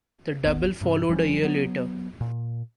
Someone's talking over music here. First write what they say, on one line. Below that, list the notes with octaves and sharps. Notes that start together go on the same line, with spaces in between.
The double followed a year later.
D#1 G#1 B3
G2 C3
F#1 F3 G3 C#4
F#3 B3
A#2